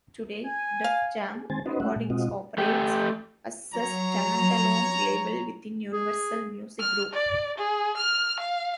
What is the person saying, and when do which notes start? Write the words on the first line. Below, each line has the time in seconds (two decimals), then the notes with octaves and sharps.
Today, Def Jam Recordings operates as a stand-alone label within Universal Music Group.
0.45 G#5
0.84 F5
1.35 G#4
1.50 D#3 G#3 C4 C5 G#5 A6
1.66 C#4 D#4 F#4 B4 C5 D#5
1.80 G#3 A3 C#4 F#4 E5 F#5
1.96 A#2 G#3
2.10 B2 G#3 C4 F4 F#4 D#5
2.58 A3 G4
3.73 F#3 C#5 A#5
5.93 G#4
6.80 F6
7.13 D5
7.58 G#4
7.97 F6
8.40 F5